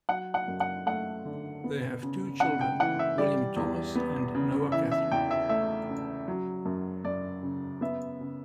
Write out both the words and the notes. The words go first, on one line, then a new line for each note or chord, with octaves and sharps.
They have two children, William Thomas and Noa Cathryn.
F#3 F#5
F#5
F#2
F#5
A3 F#5
D3
B3
C#3
C#3 F#5
G5
E3 F#5
E5
G3 D5
E2
B3
C#3
E3 E5
E5
E2 G5
E5
A3 E5
C#3
F#3
F#2
F#2 D5
C#3
B3 E5
C#3